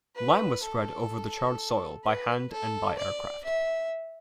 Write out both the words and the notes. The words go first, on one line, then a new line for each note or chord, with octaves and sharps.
Lime was spread over the charred soil by hand and by aircraft.
B4
A4
B4
A4
D5
E5